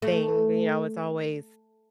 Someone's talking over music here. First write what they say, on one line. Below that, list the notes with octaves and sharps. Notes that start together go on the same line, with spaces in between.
thing, you know, it's always
A3